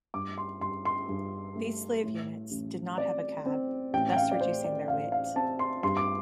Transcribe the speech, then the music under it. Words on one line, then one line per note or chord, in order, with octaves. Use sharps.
These slave units did not have a cab, thus reducing their weight.
G2 D6
C6
G2 C6
C6
G2
A3
A2
A1
C4 D5
C4
A1 G5
G5
F5
D5
A2 C5
D5
A1 F5
F5
C4 A5
C6
G2 C6
D6